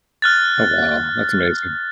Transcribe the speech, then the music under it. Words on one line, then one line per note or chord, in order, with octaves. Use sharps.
Oh, wow. That's amazing.
F6 F#6 A6